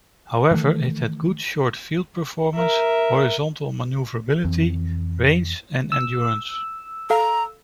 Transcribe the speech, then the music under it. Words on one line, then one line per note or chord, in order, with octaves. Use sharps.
However, it had good short field performance, horizontal manoeuvrability, range and endurance.
D#3 E3 G3 A3
A#4 E5
F2 E3 C4
E6
A4 F5 A#5